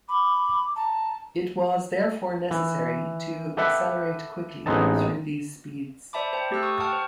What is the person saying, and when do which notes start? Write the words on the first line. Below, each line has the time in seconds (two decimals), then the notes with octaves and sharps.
It was therefore necessary to accelerate quickly through these speeds.
0.09 B5 D6
0.76 A5 A#5
2.51 E3
3.57 G4 A4 B4 E5 F#5 G5
4.66 A1 G#3 B3 C4 D#4 A5
6.13 C5 D5 E5 A5 B5 D6
6.33 C5 G5 A5
6.51 A3 G4 A5 E6 F#6
6.63 C#6 D#6
6.80 F#5 G5 A5 C#6 F6
6.93 C5